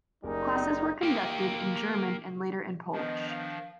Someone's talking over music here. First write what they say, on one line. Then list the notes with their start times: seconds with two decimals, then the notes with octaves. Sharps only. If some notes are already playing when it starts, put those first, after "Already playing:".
Classes were conducted in German and later in Polish.
0.23 F#1 G3 D#4 A#4 G#5
1.03 A#3 G4
2.93 D#3 F3 B3 D4 D#5
3.30 F5